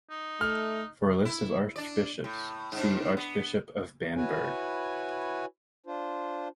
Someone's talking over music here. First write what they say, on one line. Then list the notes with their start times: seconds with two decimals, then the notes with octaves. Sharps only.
For a list of archbishops, see Archbishop of Bamberg.
0.10 D#4
0.41 A3 F6
1.25 E4
1.76 D4 D5
2.24 A2
2.72 G#2 D4
3.17 B3
4.17 E4 F#4 B4 C#5 G#5
5.86 D4 F4 C5